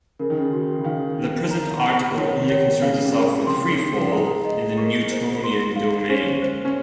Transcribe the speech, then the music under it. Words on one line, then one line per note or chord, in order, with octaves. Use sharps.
The present article only concerns itself with free fall in the Newtonian domain.
C#3 A#4
D#3
C#3
F#4
C#3
D#3 F5
D#4
A#5
F#5
D#3 C#5
C#5
C#3 F5
C3
C#3 A#4
C3 C6
C#3
C#3 D#4
F3
G#3 A#5
D#5
A#3 C#6
C5
C6
F5
C#4 C5
C5
C#4